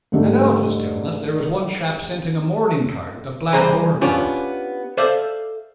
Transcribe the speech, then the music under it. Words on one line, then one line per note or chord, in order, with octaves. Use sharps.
And Alf was telling us there was one chap sent in a mourning card with a black border round it.
G#2 D3 G3 A3
E2 C3 G3 G#4 C5 A#5
B3 C#4 D4 F4 G4 C#5
A4 C5 D5 E5 F5